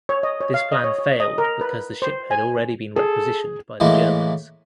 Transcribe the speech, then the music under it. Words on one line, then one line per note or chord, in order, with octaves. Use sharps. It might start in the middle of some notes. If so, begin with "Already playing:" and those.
This plan failed because the ship had already been requisitioned by the Germans.
C#5
D#5
C#5
F5
D#5
C#5
C#5
D#5
A#4
B4
C5
G#5
G#4 A4
A2 E3 G#3 A#3